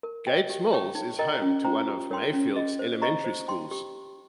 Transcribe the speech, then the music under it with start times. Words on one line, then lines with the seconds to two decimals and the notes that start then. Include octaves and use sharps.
Gates Mills is home to one of Mayfield's elementary schools.
0.03 A#4
0.27 D#5 G5
0.50 G4
0.73 C#5 G5 C#6
0.95 D#4
1.19 A#4 D#5 G5 A#5
1.42 C#4
1.64 F4 C5 G5 A#5
1.87 G4
2.10 A#4 C#5 G5 C6
2.33 C#4
2.56 G#4 D#5
2.79 C5
3.02 D#5 A#5 C#6
3.24 C5
3.48 G5 C6
3.71 G4